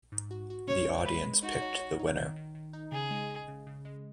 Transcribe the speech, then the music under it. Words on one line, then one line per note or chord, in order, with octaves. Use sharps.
The audience picked the winner.
G#2
F#4
F#4
C#4 C#5
G#3
G#3 B4
G#3
D#4 F#4
C#5
C#5
D#4
D#3
D#3
D#3
D#4
C#3 G#4
G#3
G#3
C#3
C#3
G#3